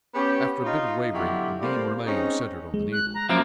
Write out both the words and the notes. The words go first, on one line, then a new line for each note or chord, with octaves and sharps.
After a bit of wavering, the beam remained centered on the needle.
B3 C#4 G4
D#4 F4
B2 D3 F#3 E4 F4 G4
G3 A3 A#3 C4 C5 D5
G#3 C4 C#4 D#4
G#3
F#6
A#5
F#2 F3 A#3 E5 D6